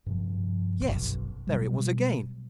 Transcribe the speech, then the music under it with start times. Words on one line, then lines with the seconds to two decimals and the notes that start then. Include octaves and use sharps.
Yes, there it was again!
0.06 G2 C3 F3
0.81 F#1 B1 F#2
1.47 B2 F#3 G3